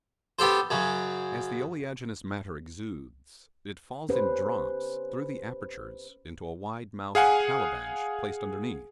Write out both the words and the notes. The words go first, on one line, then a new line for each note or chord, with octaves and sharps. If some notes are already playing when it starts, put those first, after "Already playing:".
As the oleaginous matter exudes, it falls in drops through the apertures into a wide-mouthed calabash placed underneath.
B3 G4 A4 C5
F#2 C#3
C#4 G4 B4 C5
G#4 F5 F#5 G#5